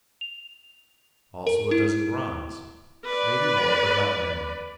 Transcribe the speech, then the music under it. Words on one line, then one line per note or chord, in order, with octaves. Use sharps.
Also, a dozen Brons. Maybe more, but not many.
F7
A#4
E4
B4 D5